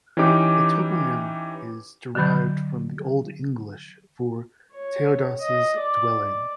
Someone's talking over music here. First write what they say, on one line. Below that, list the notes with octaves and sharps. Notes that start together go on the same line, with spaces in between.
The toponym is derived from the Old English for "Teoda's dwelling".
E3 C#4 D#4 G4 D6
D3 D#3 F#3 B5 G6
C#5
D#5
D5